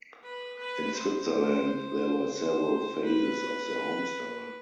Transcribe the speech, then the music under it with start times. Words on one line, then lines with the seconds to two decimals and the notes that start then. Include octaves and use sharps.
In Switzerland there were several phases of the home style.
0.24 B4
0.59 B4
0.94 C5
2.34 C5
3.05 B4